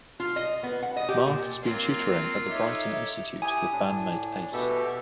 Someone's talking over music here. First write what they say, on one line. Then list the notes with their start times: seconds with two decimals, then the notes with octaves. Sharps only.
Mark has also been tutoring at the Brighton Institute with bandmate Ace.
0.20 F4
0.36 D#5
0.63 B3
0.82 F#5
0.96 D#5
1.09 G4
1.26 A#2
1.63 F#3 A#3 C4 F4
2.49 D#4 G4 A4 C#5 E5
3.42 E4 G4 G#5 D#6
3.72 A2 D4
4.53 B2 G4 A4 E5